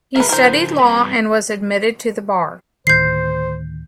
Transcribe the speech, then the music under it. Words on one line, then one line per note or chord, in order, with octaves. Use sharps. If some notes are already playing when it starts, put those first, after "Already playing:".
He studied law and was admitted to the bar.
F#3 G#4 A#4 B4 E5
D3 E4 A#4 C5
G3 C4 B4
D2 A2 D#3 C5 G6 C7